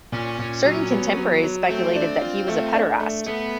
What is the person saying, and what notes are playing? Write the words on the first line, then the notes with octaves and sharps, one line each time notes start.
Certain contemporaries speculated that he was a pederast.
A#2 C#4
A#2
F#3
B3
F#3
F#3
A3 C4
D4
F4
A3
D4
A3
A3 B3